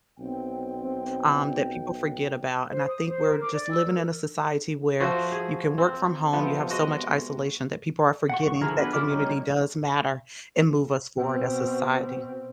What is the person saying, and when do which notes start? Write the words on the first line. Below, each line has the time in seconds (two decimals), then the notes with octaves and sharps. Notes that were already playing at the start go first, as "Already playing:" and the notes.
um, that people forget about, and I think we're just living in a society where you can work from home, you have so much isolation that people are forgetting that community does matter, and move us forward as a society.
0.19 B1 C4 G5
2.70 C5
2.88 D#6
3.08 C5
3.28 A#4
3.41 D6
3.54 D5
3.71 E6
3.86 A#4
5.00 F3 A3 F#4 C5
5.32 G#4
5.78 C4
6.33 C3 F3 B3
6.70 G#3 F#4 D#5
8.29 F#5 C#6
8.48 C#6
8.61 D3 F3 E4 G#4 A#4
8.77 B3 D4 F#4 G#4 B4
8.93 C#3 E4 F4 D6 F6
9.09 G3 A#3 C#4 D#4
11.17 B2 C4